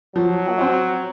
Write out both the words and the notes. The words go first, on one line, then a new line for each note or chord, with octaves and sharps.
Oh, wow.
F3 F#3
C4 F#4